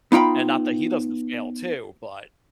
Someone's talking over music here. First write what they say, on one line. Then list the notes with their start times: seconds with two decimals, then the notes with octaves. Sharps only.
and not that he doesn't fail too, but
0.12 B3 D#4 F4 G5 B5